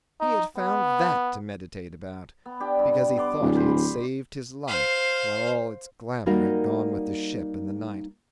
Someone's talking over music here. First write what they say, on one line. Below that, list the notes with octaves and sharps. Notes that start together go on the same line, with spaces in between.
He had found that to meditate about because he thought he had saved his life, while all its glamour had gone with the ship in the night.
D#4
B3
B3
D4 G4
G2
B3 C6 D6
D1
C5 B5
C5 F5
G3 A#3 D#4 F#4 A#4 F5